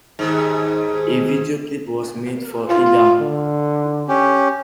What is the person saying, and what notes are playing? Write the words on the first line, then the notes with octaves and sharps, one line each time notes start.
A video clip was made for "Ida".
D#2 G#2
F4
D3
C#4 G4